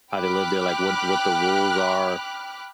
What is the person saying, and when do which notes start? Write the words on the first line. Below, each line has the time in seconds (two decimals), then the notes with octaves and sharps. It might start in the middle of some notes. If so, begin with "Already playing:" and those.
how they lived there, like, what what the rules are,
0.13 G5 B5 D6 F6 F#6